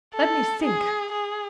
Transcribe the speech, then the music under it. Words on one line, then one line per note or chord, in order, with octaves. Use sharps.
"Let me think."
A4
G#4
G#4